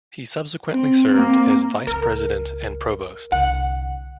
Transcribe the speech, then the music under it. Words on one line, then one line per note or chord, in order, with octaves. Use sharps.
He subsequently served as Vice President and Provost.
C4
A#3 C4
G1 C#2 A#4
C2 D3 F#5